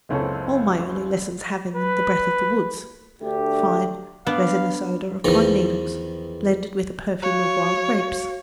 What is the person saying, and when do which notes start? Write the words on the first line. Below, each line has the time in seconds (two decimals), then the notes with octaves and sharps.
All my early lessons have in them the breath of the woods--the fine, resinous odour of pine needles, blended with the perfume of wild grapes.
0.09 F#1 C#2 C4 C#4 A4
1.75 B4
3.21 D2 A3 D4 G4
4.27 B3 D4 F5
5.24 E2 D#3 F3
7.22 F#4 C#5 F5